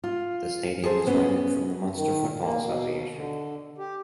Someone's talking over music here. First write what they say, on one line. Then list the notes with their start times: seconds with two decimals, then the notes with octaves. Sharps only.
The stadium is rented from the Munster Football Association.
0.04 F4
0.84 G#4 A4 C5
1.07 B3 C#4
1.94 D#3
2.43 A#3
2.63 B2
3.15 D3
3.78 G4